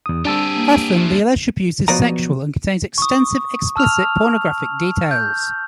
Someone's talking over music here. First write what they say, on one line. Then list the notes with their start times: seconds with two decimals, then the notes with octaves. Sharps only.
Often, the alleged abuse is sexual and contains extensive, explicit, pornographic details.
0.06 E2 D#6
0.25 G3 C4 D4 G4 G#4 A5 E6
0.56 A#3
0.95 E3 F3 E5 C#6 F6
1.88 B1 B2 F3 D5 D#5 A#5
2.98 C#6 D#6
3.76 A5 E6 F6 F7
5.11 G6